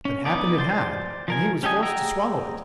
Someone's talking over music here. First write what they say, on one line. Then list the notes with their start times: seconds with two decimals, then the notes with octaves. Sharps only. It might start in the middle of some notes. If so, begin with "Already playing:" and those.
But happened it had, and he was forced to swallow it.
0.05 C#4
0.25 B3 D#4 D5
0.58 C5 D5 C6
1.28 F3 A#4 G#5
1.63 C#4 G4 A4 D#5 G#5
1.83 G#4 F#5 G5 A#5 E6